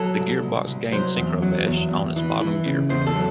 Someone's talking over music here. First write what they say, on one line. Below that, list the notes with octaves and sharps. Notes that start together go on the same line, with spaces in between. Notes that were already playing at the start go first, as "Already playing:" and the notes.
The gearbox gained synchromesh on its bottom gear.
Already playing: F#3 A4
C2
C2
C2
F#3 C5
E2
F#3
E2
E2
E3
E3
C#3
E2 C5
A4
F#3